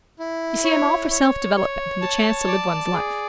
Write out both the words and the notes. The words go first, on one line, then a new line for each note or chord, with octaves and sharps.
You see I'm all for self-development and the chance to live one's life.
E4
C#5
C#5
C#5
A5
D5
G#4